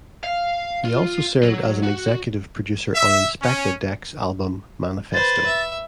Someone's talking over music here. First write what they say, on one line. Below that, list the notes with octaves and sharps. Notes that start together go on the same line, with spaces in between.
He also served as executive producer on Inspectah Deck's album '"Manifesto".
F5
F4
F#3
F#4
E5
C#4
B4 C5 A6
E5